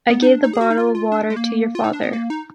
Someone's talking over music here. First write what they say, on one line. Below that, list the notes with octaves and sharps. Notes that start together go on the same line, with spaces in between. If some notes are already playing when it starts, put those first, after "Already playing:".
I gave the bottle of water to your father.
B3
D#4
D4
D#4
G#4
F#4
D#4
F4
F4
D4
G#3
A#3
F4
D#4
D4
B3
A#3
D#4